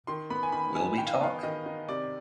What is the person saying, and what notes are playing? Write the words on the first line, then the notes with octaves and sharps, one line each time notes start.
Will We Talk?
D#3 C6
B3 B5
G#5
D#3 B5
D#4 G#5
D#3 G5
F5
D#5
B3 F5
D#3 D#5
D#4
C3 D5